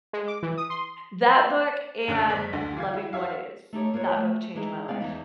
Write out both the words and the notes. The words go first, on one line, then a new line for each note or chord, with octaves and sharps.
that book and Loving What Is that book changed my life.
G#3
D6
E3
D#6
C6
A1 D3 C#4 F6 F#6 D7
F#1 D5 B6
D2 D3
E3 F5 G#6
F#3 E4
F#4 C5 C#5 E5 F5
A3 D#4 G4 C#5
A#3 F4 B4 C#5
A3 F4
E3 G#3 D#4 E4 G#4
G#3 B3 C#4 D5 F5
E2 E3 D#4